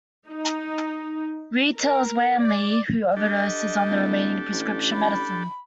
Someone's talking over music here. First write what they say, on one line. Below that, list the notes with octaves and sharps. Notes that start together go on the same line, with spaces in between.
Reed tells Wanley, who overdoses on the remaining prescription medicine.
D#4
A#4
D5
D4 G4 A4 D#5
D1
A1
B5